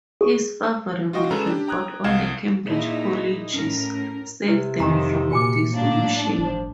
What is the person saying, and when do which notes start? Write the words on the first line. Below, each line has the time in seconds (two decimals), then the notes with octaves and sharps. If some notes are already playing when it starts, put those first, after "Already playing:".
His favorable report on the Cambridge colleges saved them from dissolution.
0.21 G#4 C#6
1.13 F4 F#4 D#5 G5 C#6
1.31 C#3 G#3 C#4 A4 B4 A#5
1.47 D4 G4
1.68 G5 A#5 D#6 F#6 G#6
2.04 C2 D#5 F5 F#5 G#6 E7
2.66 A#2 D#4 E4 G#4 D5
3.53 A2 C#4 A#4
4.48 C3 E4 B4 D5
4.80 F2 D#3 F3 G4 G#5 A#5
5.31 A#2 F#4 G#5 D6 C#7
5.71 A2 A#3 D4
6.38 G1 F3